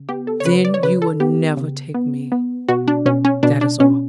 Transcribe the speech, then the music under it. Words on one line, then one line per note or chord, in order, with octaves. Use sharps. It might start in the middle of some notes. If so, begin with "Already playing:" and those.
'Then you will never take me, that is all.
Already playing: C#3
B3 G4
A4
C#5
C#3 B4
D5
C#5
C#3 B4
A4
B3 G4
C#3
B3
B3
B2 F#4
D4
B2 C#4
C#4
B2 D4
D4
B2 C#4